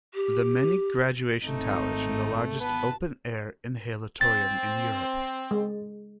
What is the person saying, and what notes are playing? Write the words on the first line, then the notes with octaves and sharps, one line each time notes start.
The many graduation towers form the largest open air inhalatorium in Europe.
G4
G#1 A3 C4 D#4
B3 B4 A5
C4 A6
G#3